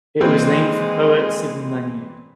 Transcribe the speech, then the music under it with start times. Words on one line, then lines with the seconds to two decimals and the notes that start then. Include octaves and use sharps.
It was named for poet Sidney Lanier.
0.21 A#2 E3 G#3 C4